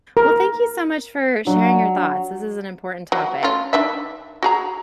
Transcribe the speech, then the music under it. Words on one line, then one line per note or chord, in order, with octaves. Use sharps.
Well, thank you so much for sharing your thoughts. This is an important topic.
A#4
F#3 D4
F#3
A3 C#4 F4
D#3 D4 E5
F#4 G#4 A#5